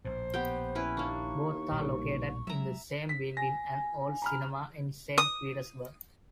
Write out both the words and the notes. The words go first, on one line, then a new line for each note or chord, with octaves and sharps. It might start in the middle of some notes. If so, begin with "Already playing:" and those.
Both are located in the same building, an old cinema in Saint Petersburg.
A#1 A2 C5
B3 G4 G5
C#4 E4 B4
D#2 A#3 D4 C#6
A#1 B2 G3
F#3 G#3 E5 A#5
B6
G#5 A#6
A#5 B5 F6
D#6